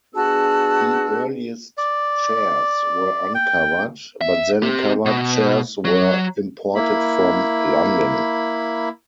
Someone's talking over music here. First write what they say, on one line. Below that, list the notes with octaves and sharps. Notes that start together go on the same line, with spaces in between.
The earliest chairs were uncovered, but then covered chairs were imported from London.
B3 D4 F#4 G#4 A5 E6
D5
G5
E5
C4 G4
B2
F#3
A#3 E4 B5